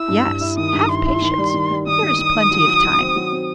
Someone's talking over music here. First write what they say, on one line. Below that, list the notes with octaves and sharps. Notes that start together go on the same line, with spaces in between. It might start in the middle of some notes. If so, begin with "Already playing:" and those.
Yes; have patience! there is plenty of time.
Already playing: E4 E6
G2
G2
E4
D#3 D#6
G2
E4 C6
E4
D#3
G3
D#3
G3
D#3 D#6
D#3
D#3
D#3
F#3
F#3
F#3
C4
F#3
C4